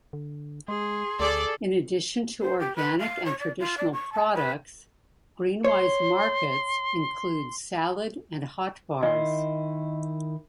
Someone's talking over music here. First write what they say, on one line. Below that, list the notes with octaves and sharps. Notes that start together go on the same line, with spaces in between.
In addition to organic and traditional products, GreenWise Markets include salad and hot bars.
D3
G#3 G#4 C6
D2 G#4 A4 D5
C5
G4
B4
F5
C#5
D5
F4
D5
C#6
A5
B4
C#5 C6
D#3 E4 D#5 C6